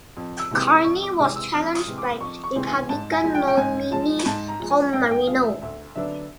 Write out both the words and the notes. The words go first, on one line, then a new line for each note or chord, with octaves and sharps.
Carney was challenged by Republican nominee Tom Marino.
F2
E6
C3 E3 G#3 C4
D#6
F2 C#6
D6
C3 E3 G#3 C4 D6
E6
F2 F6
D#6
C3 E3 G#3 C4
D6
F2 C#6
C#6
C3 E3 G#3 C4
G#5
G#2 A5
G#5
F3 G#3
G5
G5
G#2 G#5
F3 G#3 A5
G#2 A5
A#5
F3 G#3
G#5
G#2 G5
G5
F3 G#3 F5
E5
D2 E5
D3 F#3 B3 D4 E5